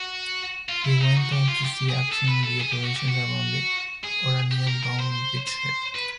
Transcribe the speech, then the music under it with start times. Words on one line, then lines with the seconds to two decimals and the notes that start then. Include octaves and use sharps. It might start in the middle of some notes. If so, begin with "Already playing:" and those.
He went on to see action in the operations around the Oranienbaum Bridgehead.
Already playing: F#4
0.69 F4
0.84 E4
1.01 D#4
1.17 F#4
1.32 G4
1.49 F4
1.65 G4
1.89 G#4
2.12 A4
2.28 B4
2.44 A4
2.60 G#4
2.72 G4
2.84 F#4
2.96 G4
3.08 F#4
4.04 G#4
4.52 G4
4.68 A#4
4.84 A#4
4.99 C5
5.47 C5
5.95 B4